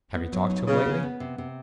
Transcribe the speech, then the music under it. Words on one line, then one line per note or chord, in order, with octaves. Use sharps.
"Have you talked to him lately?"
B3
F#3
D#4
C#3 B3
B3
B3
C3
C3